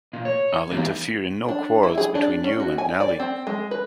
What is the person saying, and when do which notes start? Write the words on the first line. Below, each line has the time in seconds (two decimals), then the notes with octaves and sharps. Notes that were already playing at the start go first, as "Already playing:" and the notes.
I’ll interfere in no quarrels between you and Nelly.
0.13 A#2
0.25 C#5
0.72 E3 F#3 G3 A#3 B3 D#4
1.48 D4
1.83 E4
1.98 G#4
2.15 D4
2.44 C#4
2.60 F#4
2.78 G#5
3.00 D5
3.20 C4
3.47 G#3
3.71 B4